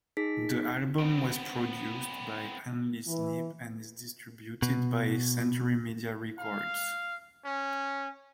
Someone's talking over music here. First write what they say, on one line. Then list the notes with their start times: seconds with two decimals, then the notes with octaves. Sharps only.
The album was produced by Andy Sneap and is distributed by Century Media Records.
0.17 D#4 G#4 B6
0.98 B3 C4 D7
3.08 E3
4.62 B2
6.39 F5
7.45 C#4